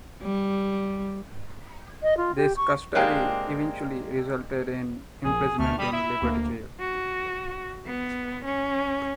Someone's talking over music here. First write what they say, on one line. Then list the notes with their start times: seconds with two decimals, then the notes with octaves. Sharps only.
This "custody" eventually resulted in imprisonment in Liberty Jail.
0.23 G3
2.03 D#5
2.17 F4
2.37 G4
2.57 C#6
2.95 G#3 A#3 C4 D4 G4
5.24 A#1 G#4
5.59 D2 A3 F6
5.78 G3 B5 D#6
5.92 E4 E5
6.21 D2 A#3
6.80 F#4
7.87 B3
8.45 C#4